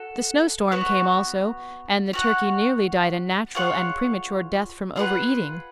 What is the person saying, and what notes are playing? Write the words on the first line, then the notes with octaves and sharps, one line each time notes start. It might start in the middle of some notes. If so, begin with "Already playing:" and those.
The snow-storm came also; and the turkey nearly died a natural and premature death from over-eating.
Already playing: F#4 A4
B3 F#4 C#5
C#4 F#4 C#5 F#5
F4 G#4 C#5 F#5
F4 G#4 B4 F#5